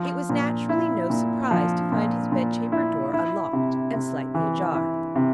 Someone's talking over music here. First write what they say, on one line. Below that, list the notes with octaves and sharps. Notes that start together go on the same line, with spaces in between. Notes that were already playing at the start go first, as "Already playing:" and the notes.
It was naturally no surprise to find his bed-chamber door unlocked and slightly ajar.
Already playing: F3
A#2
E4
A#2
F3
A#2
A#2
E4
E4
C3
C3
E3
E4
C3